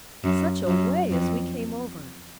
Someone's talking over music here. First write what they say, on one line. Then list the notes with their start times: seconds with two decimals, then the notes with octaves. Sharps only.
Such a way as we came over!
0.24 F#2
0.67 F#2
1.11 F2